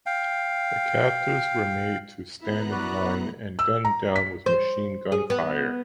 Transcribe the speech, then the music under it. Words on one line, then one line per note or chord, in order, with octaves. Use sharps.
The captives were made to stand in line and gunned down with machine gunfire.
F5 G5
B3 E4 A#5 F#6
F#3 E4 F#4 B4 D5
E6
A#5
B6
C5
G#4
B3